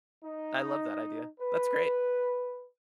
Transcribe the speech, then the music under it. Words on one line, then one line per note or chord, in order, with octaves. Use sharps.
I love that idea. That's great.
D#4
B4